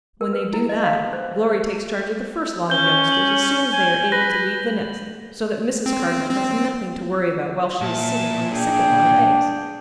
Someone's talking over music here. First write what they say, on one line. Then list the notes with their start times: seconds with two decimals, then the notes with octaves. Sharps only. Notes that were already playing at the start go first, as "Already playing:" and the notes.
When they do that, Glory takes charge of the first lot of youngsters as soon as they are able to leave the nest so that Mrs. Cardinal has nothing to worry about while she is sitting on the second lot of eggs.
0.21 A#4
0.33 B4
0.53 E4
0.69 D#5
0.84 F5
1.13 C5
2.70 C#4 G6 G7
3.12 F#7
3.73 G#5
4.12 B4 A#6
5.86 C4
6.30 C4
7.81 A#2 E5 A5
8.53 D4 G#4 G5